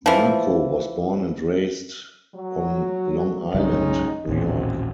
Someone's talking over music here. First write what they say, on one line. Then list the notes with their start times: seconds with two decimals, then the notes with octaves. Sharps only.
Marco was born and raised on Long Island, New York.
0.06 E3 F3
2.36 F#3
3.54 B1 F#2 C#3 G#3 C#4 D#4
4.27 A1 D#2 A#2 F#3 C4 C#4